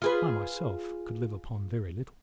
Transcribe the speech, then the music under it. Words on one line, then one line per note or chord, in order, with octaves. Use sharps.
I myself could live upon very little.
F4 G#4 B4